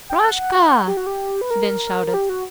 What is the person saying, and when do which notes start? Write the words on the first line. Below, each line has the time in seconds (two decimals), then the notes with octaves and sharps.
"Proshka!" he then shouted.
0.09 G5
0.25 F#5
0.88 G4
0.97 F#4
1.07 G4
1.41 B4
1.50 A#4
2.07 A#4
2.14 G4
2.29 F#4